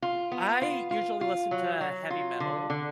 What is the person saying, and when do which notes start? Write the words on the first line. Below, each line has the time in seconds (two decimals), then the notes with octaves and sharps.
I usually listen to heavy metal.
0.02 F4
0.32 B3
0.62 F4
0.91 F4
1.21 F4
1.51 F#3
1.81 F#3
2.10 F4
2.40 D3
2.70 D3